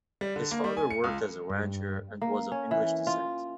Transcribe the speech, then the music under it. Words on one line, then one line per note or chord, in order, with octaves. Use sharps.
His father worked as a rancher and was of English descent.
G3
D3
A#3
G3
G#5
C#7
C#2
G2
A#3
C#4
E3
F4